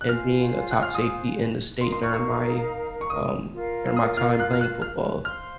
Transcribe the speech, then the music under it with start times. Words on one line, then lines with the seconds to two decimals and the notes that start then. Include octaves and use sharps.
And being a top safety in the state during my, um during my time playing football,
0.01 F#6
0.08 F4 C5 F5 G#5 F6
0.71 F#6
0.83 F6
0.95 D#6
1.80 D#4 A#4 F5 A#5 C6
1.92 C6
2.03 C#6
2.14 C#6
3.01 C#6
3.10 D#6
3.53 F4 A#4 F5
3.96 D#6
4.17 F6
4.40 F#6
4.53 F6
4.61 F#6
4.82 F6
5.25 C5 F5 C6 F6